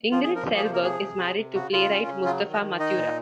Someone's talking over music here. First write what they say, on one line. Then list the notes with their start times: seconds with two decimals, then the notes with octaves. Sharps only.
Ingrid Selberg is married to playwright Mustapha Matura.
0.12 F3 F4
0.24 G#4
0.29 F3
0.35 A#4
0.47 A#3
0.56 G#4
0.64 C3 C5
0.73 A#4
0.82 F3 G#4
1.00 C3
1.18 C3
1.36 C3
1.54 C#3 F#4
1.72 C#3 F4
1.90 C#4
2.07 C#3
2.25 F#3 F4
2.43 D#3
2.53 D#5
2.61 D#3
2.79 D#4 D#5
2.97 A#2